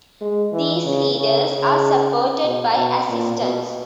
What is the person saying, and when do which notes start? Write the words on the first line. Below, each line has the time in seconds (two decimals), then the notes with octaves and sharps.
These leaders are supported by assistants.
0.21 G#3
0.53 E3
0.85 C#3
1.17 C#3
1.49 C#3
2.45 B2
2.77 B2
3.10 A#2
3.42 B2